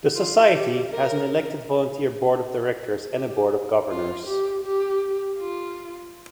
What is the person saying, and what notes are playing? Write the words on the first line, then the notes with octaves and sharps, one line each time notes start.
The society has an elected volunteer Board of Directors and a Board of Governors.
F4
G4
A#4
G4
F4
G4
G4
F4